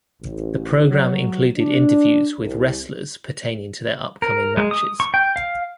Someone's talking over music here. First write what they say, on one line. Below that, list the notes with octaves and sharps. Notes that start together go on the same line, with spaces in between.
The program included interviews with wrestlers pertaining to their upcoming matches.
A1
F#3
D4
C2
A#4
G#3
D#6
C#6
G5
F5